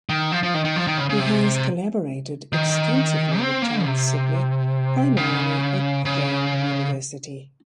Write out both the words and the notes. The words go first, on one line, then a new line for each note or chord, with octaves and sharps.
He has collaborated extensively with Charles Sibley, primarily at Yale University.
D#3
F3
F3
D#3
D#3
F3
D#3
C#3
C#3
C3
D#3
C4
A#3
C3
C#3
C#3